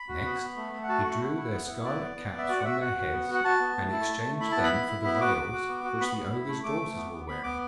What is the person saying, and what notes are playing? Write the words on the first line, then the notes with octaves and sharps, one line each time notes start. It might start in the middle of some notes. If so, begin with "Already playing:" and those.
Next he drew their scarlet caps from their heads and exchanged them for the veils which the ogre's daughters were wearing.
Already playing: B5
F#4
B3
B3
A3
A3
F#5
F#4 A5
A3 F#5
E4
E4
B3
E4
B3 D5
B3
B3
B3
E5
F#4 D5
F#5
F#4 E5
F#4 F#5
F#4
B3
F#4
F#5
F#4 A5
B3
A3
E4
A3
A3
E4 B5
B3 A5
B5
E4
E4
B3 B5
B5
F#4 D6
F#4
F#4
B3
F#4
B3 B5
B3
E4
A3
A3 D6
A3
B3
B3
B3 B5
B3 D6